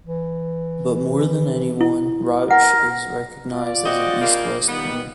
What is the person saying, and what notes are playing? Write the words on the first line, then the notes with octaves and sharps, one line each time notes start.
But more than anyone Rauch is recognized as an East-West painter.
E3
E4
A#4 F#5
F4 D5
C4 F#4 D#5
G3 G#3 A#3
D#3 G3 B3